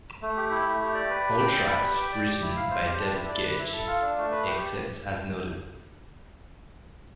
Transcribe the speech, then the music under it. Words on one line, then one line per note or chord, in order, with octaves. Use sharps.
All tracks written by David Gedge except as noted.
A3
G4
E4
A3
G4
D5
B4
G4
G5
D5
B4
G4
G5
D5
G4
E4
F5
C5
G4
D4
E4
D5
B4
E4
A4
F4
D4
A3
B4
G4